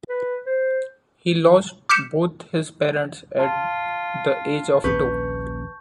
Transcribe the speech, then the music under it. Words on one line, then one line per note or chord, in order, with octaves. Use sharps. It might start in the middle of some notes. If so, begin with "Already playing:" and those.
He lost both his parents at the age of two.
B4
C5
D6 F6 G6 B6 C#7 E7
F4 A5
A#1 D#2 C#4 B4 C#6 G6